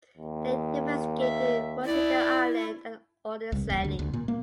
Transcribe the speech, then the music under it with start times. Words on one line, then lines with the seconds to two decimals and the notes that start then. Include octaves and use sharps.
They investigated Rusinga Island and Olorgesailie.
0.17 D#2
1.20 E5
1.85 E4 D5
3.52 C2
3.70 D#1
3.84 D2
3.99 D2
4.13 A#2
4.28 A#3